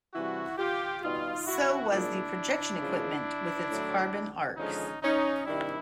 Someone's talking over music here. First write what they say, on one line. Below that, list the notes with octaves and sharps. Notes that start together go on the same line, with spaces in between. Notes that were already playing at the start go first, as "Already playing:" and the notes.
So was the projection equipment with its carbon arcs.
C3 E3 G3 E4 F#4
F4 G4
B2 G3 D#4 F4
E4 F#4
A#2 F3 G#3 D4 E4
C#3 F3 G#3
A2 F#3
D3 F3 G#3 C#4 D#4
C#4 D#4
C3 D#3 G3 D4 E4